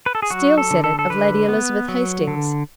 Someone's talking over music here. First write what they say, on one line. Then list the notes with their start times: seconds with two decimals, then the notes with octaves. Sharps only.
'Steele said it of Lady Elizabeth Hastings.'
0.06 B4
0.15 A4
0.22 G#4
0.30 F#3 F#4
0.58 A4
0.71 D3
0.84 A4
0.99 A4
1.10 D3 B4
1.49 B3
1.88 F#3
2.28 D3